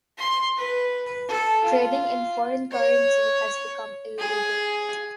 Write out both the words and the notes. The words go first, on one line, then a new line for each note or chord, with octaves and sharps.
Trading in foreign currency has become illegal.
C6
B4
A4
F4
C#5
G#4